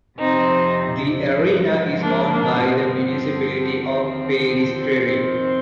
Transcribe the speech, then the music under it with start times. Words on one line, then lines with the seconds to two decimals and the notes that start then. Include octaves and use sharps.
The arena is owned by the municipality of Peristeri.
0.19 F2 C3 F3 C4 D#4
1.41 G#2 F3
2.01 A#3 D4
2.31 A#3 D4
2.62 G2 D3 F3 C4
3.84 D#2 D3 F3 C4
5.05 F2 C3 D#3 C4